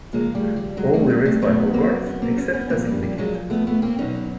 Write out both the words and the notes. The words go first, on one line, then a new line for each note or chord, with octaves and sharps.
All lyrics by Hogarth except as indicated.
C#3 F3 G#3 A#3
G3 A3
G3
F#3 G#3
G3 A3
F#3 G#3
G3 A3
B2 F#3 A3 B3
A#3 C4
B3 C#4
A#3 C4
B3 C#4
B3 C#4
A#2 F3 A#3 C4
G3
G3
F#3 G#3
A3 B3
A3 B3
A#3 C4
B2 F#3 C#4 D#4